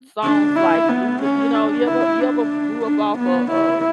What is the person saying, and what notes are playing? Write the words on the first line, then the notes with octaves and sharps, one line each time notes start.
songs like, Luther you know, you ever you ever grew up off of, uh,
D4
E4
B3
C#4
D4
E4
D4
D4
B3
E4